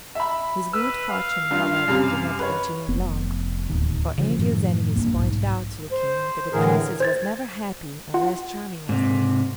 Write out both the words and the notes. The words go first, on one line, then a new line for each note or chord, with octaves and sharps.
His good fortune, however, did not continue long, for envious enemies pointed out to the King that the Princess was never happy unless Charming was near.
E5 B5
B4 E6
F5
G2 F4
F#2 C3 G3
B4 C#5
F1 B3
D1 D#2
C#3 F3
F#2 A2 D#3 F3
A#1 G2 A#3
B1 G#2
C5
A2 D3 E3 G#4 A#4
C5 G#6 A6
F4 F#5
G#2 C3